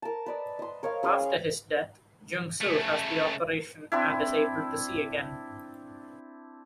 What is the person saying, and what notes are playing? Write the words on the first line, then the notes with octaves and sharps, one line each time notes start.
After his death, Jung-suh has the operation and is able to see again.
A#4 A5
B4 D5 D#5
D#5 C6
A#4 C#5 D#5 F5
C#4 G#4 B5 C6
F5
C#3 A3
C4 D4 E4